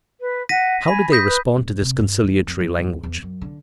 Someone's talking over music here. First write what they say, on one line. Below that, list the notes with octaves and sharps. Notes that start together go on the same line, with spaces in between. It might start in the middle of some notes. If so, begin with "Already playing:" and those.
How did they respond to this conciliatory language?
B4
F#5 A#6 B6 D#7
G#5 B5
D#6 G6 A#6 B6
B4
D#1
C3
G2
D#3
F2
F2
G1
E2
F#2
D3